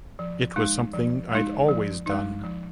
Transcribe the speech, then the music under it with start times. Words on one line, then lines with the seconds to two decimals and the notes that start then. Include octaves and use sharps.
It was something I’d always done.
0.19 F3
0.56 G#3 D#4
0.93 F3
1.31 G#3 D#4
1.68 F3
2.06 G#3 D#4
2.43 F3